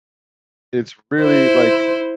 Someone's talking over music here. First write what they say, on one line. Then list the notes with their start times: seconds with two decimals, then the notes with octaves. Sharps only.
it's really like
1.21 E4 C5